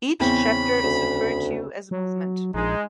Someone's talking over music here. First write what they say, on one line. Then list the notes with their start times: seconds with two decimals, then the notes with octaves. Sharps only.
Each chapter is referred to as a movement.
0.20 E2 C#3 C4 E4 B5
0.83 D2
1.91 F#3
2.54 A#1 G#3 D#4